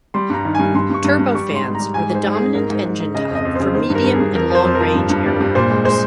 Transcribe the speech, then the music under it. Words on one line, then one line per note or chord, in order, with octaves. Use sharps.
Turbofans are the dominant engine type for medium and long-range airliners.
G3 C6
G2 A#5
D#3
G2 G#5
G2 C6
G2 C#6
G2
G2
G3 C#6
G#2
C6
G#2
G3 A#5
G#2 G#5
G#2
C5
G#2
G#4
G#2
G#2 A#4
G#2 C5
G#2
G#2
C#3 D#5
F2 D#5
F2
C#3 C5
D#3 C5
G2
A#4
G2
G#4
G2
F2 A#4
F3 C5
F2
A#4
F3
G2
G2
G3
G2
A#2 C5
G#3
G#3 C5